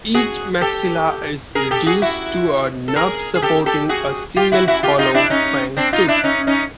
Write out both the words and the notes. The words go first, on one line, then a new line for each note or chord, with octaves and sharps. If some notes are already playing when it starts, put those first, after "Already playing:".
Each maxilla is reduced to a nub supporting a single hollow fang tooth.
F#4 G#4
G4 A4
G#4 A#4
G4 A4
F#4 G#4
E4 F#4
A4
G#4 A#4
G#4
G4 A4
G4 A4
F#4 G#4
F4 G4
E4 F#4
E4 F#4
F4 G4
D#4 F4
D4 E4
C#4 D#4
C4 D4
D#4 F4
D4 E4
C#4 D#4
C#4 D#4